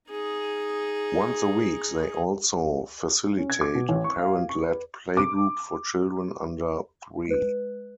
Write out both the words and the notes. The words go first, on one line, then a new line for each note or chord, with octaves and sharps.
Once a week they also facilitate a parent-led playgroup for children under three.
D#4 G#4
C#4
G#6
D6
B2
A1
C#6
F5
C#6
B4
D6
G#3 B4